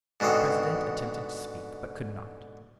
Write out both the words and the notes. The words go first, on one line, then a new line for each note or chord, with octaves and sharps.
The president attempted to speak, but could not.
G#2 B2 D3 C4 D#5